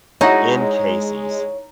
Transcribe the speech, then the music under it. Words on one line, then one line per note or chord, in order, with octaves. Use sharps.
in Casey's,
G#3 D#4 E4 F#4 C#5